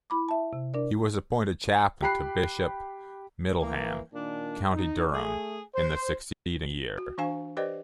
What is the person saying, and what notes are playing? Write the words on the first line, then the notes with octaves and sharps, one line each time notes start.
He was appointed chaplain to Bishop Middleham, County Durham, in the succeeding year.
E4 B5 D6
E5 A5
C3
D4 A#4 D5
G4 B5 F#6 C7
E3 A#3
A#2 D#3 D4
D#4
A3 G#4
C5
F#4
E3 D4 C5 F5 G#5 C#6
G4 B4 C5 D5 D#5 G5